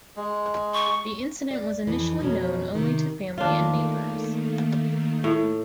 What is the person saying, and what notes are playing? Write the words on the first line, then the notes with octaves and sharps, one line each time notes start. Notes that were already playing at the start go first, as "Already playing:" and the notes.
The incident was initially known only to family and neighbors.
G#3
C#6
D5
F2 E3
F2 B2 F#3 C#4
C3 D#3
D#3 A3 A#3 D4 F4
A2